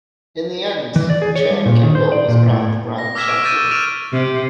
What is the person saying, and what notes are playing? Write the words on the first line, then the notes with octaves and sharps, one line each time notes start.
In the end, Cheyenne Kimball was crowned the grand champion.
E3
D5
G#4
C#5
G3
A#2
D#3
C5
D5
A#2
A2
A#6
D6 E6 F6 G#6 B6 E7
C#6 E6 G#6 D7
C#6 E6 G6 A6 D#7
C#6 F6 A6 D7 E7 F7
C3